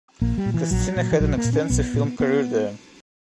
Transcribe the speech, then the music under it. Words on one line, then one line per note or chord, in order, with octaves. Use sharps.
Koscina had an extensive film career there.
A#1 A#3
G3
A#2
E3
A#1 F#3
A#2
E3
B1 F#3
A#3
A#2
C#4
B1 B3
A#2
B3